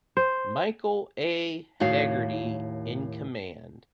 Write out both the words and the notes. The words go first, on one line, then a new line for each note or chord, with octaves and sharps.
Michael A. Hegarty in command.
C5
D#2 A2 F#4 C#5 F5